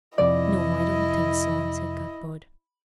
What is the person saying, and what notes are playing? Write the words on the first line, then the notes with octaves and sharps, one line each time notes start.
"No, I don't think so," said Cuthbert.
F2 C3 F3 E4 D5 D#5